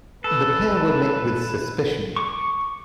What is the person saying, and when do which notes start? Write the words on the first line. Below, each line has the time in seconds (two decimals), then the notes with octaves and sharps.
The pair were met with suspicion.
0.24 A4 B4
2.16 C#6 D6